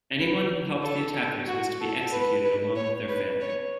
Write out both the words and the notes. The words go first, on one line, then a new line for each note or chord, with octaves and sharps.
Anyone who helped the attackers was to be executed along with their family.
B4
A4
F#4
A4
B4
B4
C#5
B4
C#5